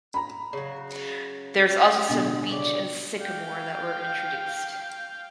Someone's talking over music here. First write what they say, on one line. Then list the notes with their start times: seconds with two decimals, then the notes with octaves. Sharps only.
There is also some beech and sycamore that were introduced.
0.14 A#5 B5
0.53 C#3 F#3
2.09 B2 D3
2.49 C#3 G4 D5
3.18 F5 G5